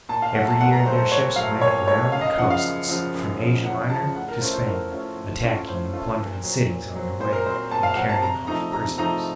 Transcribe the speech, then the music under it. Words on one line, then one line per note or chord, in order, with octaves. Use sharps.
Every year their ships went round the coasts from Asia Minor to Spain, attacking and plundering cities on their way and carrying off prisoners.
A#2 A5
F5
F#3 A3 F#5
A5
A#2 F#5
A#5
F#3 A3 C5
C5
A#2 C#5
F#3 A3 F5
A#2 C#5
F#3 A3 C#5
F#2 F5
D#5
F5
C#3 F3 F#5
F5
F#2
C#3 F3
F#2
C#3 F3
F#2 F#5
C#3 F3 A5
A2 F#5
A#4
A3 C#4 F4 C5
C5
A2 A#4
A3 C#4 F4
A2
A3 C#4 F4
A2 C5
A3 C#4 F4
A#2
F#3 C4
A#2
F#3 C4
A#2 C5
A#4
F#3 C4 C5
A#2 A5
F5
F#3 C4 F#5
A5
C3 A#5
F3 A3 D#4 A#5
C3 A#5
F3 A3 D#4 A#5